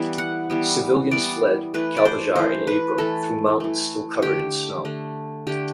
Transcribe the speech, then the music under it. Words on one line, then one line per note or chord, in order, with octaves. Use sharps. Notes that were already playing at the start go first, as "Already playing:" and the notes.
Civilians fled Kalbajar in April through mountains still covered in snow.
Already playing: E3 G3 B3 E5
F#5
E3 G3 B3
E3 G3 B3 D5
E3 A3 B4
D5
C5
E3 A3 C5
B4
E3 A3 A4
E3 A3
D3 A3 G4
D3 A3
D3 A3 G4